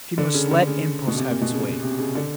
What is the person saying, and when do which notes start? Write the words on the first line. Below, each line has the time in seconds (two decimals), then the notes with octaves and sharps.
She must let impulse have its way.
0.18 D3
0.34 C#3
0.51 D3
0.67 C#3
1.07 B2
1.16 C3
1.29 A#2
1.41 B2
1.53 C#3
1.82 C3
1.99 C#3
2.15 D3